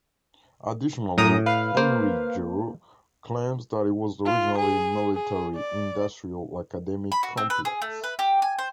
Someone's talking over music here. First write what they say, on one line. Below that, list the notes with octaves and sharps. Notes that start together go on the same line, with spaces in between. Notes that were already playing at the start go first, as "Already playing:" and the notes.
Additionally, Henry Giroux claims that it was originally "military-industrial-academic complex".
F#2 A2 A#5 D#6
B4 F5
A#3 C5
F4
G#4
G#4
D5
B5
F#4
C4
B4
G#4
A3
B4
G4
G#5
C5